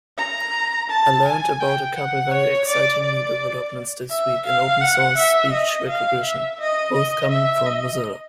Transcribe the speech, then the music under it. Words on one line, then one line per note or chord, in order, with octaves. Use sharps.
I learned about a couple very exciting new developments this week in open source speech recognition, both coming from Mozilla.
A#5
A5
G#5
G5
F#5
C#5
D5
D5
E5
F5
F#5
E5
D#5
F5
E5
D#5
D#5
E5
D#5